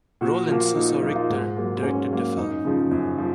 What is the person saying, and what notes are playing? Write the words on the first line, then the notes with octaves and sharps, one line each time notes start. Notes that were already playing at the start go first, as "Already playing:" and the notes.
Roland Suso Richter directed the film.
A#2 F#4
F3 A#3
A#2 D#4
D#4
F3 A#3 D#4
F4
G#2
F#3 A#3
G#2 C#4
F#3 A#3
F#2 D#4
C#3 F3
F#2
F3